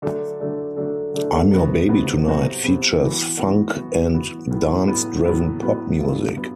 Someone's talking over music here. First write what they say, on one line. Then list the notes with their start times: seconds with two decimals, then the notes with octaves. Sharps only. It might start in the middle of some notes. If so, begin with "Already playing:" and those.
"I'm Your Baby Tonight" features funk and dance-driven pop music.
0.02 D3 F#3 A3 D4 A4
0.40 D3 F#3 A3 D4 A4
0.76 D3 F#3 A3 D4 A4
1.14 D3 F#3 A3 D4 A4
1.51 C3 F#3 B3 F#4
1.89 C3 F#3 B3 F#4
2.26 C3 F#3 B3 F#4
2.64 C3 F#3 B3 F#4
3.01 E3 B3 F#4
3.38 E3 B3 F#4
3.76 E3 B3 F#4
4.13 E3 B3 F#4
4.51 A2 F#3 B3
4.87 A2 F#3 B3
5.25 A2 F#3 B3
5.63 A2 F#3 B3
6.00 G2 F#3 B3
6.37 F#3 B3